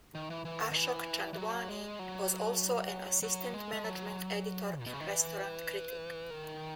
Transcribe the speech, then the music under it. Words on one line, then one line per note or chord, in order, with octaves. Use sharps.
Ashok Chandwani was also an assistant management editor and restaurant critic.
D#3
E3
E3
D#3
D#3
E3
E3
F#3
G#3
F#3
F#3
G#3
G#3
F#3
A#2
B2
C#3
D#3
E3
D#3